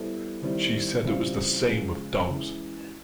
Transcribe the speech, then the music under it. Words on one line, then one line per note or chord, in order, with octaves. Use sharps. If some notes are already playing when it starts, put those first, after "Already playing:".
She said it was the same with dogs.
Already playing: G3 B3 E4 A4 C5
D#3 G3 C4 E4
C#3 E3 G3 C4 F4
C#3 F3 G#3
E3 G#3 C#4